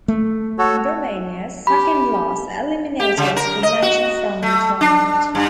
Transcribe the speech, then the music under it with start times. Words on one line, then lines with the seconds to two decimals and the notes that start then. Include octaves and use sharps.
Romania's second loss eliminated the nation from the tournament.
0.08 A3
0.59 F#4 A4 C#5
1.67 G4 B5
3.00 G4
3.17 C#3
3.36 A#4
3.63 D#5
3.82 F#4
4.43 A3
4.81 D4
5.35 G2